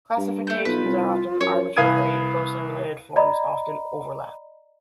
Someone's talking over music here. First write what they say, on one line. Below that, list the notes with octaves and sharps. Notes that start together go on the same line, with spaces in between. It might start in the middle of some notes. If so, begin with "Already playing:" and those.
Classifications are often arbitrary, and closely related forms often overlap.
G2
A3 A#3 G6
B1 F4 B4
C2
F#2 C#5
C2 B4 F5 D#6 G#6 D#7
D5 D#5 A#5 B5